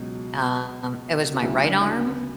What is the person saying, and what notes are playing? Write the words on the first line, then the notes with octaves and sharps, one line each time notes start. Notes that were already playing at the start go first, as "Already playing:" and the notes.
Um, it was my right arm,
Already playing: C#2 B2 F#3
F#4
D2 C#3 F#3 E4
D4
E4
D4
B3